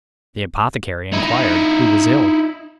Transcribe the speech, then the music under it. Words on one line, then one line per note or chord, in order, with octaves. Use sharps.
The apothecary inquired who was ill.
D#4 E4